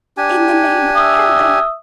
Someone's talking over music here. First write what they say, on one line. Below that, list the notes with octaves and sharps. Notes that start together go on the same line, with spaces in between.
"In the name of heaven!"
D4 G4 G#5
E5 D#6